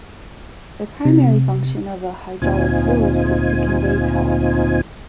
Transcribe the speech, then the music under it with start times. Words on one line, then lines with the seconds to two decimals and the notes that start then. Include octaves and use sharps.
The primary function of a hydraulic fluid is to convey power.
1.05 C3
2.42 D2 A#2 C4 D#4 F4 G#5